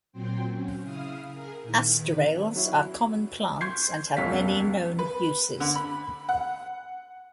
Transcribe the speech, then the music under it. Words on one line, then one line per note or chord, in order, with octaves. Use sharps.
Asterales are common plants and have many known uses.
A#2 F#3 C4 C5 G5
F#3 C#4
C#3 E4 F5 D#6 F6
G#4 A#4
A#2 D#3 E4
D#3 B4
F#3 E4
C6 C#6 G6 G#6 C7
E1 C#2 F#2 C#4 F5 B6
B4
D3
B5
F#5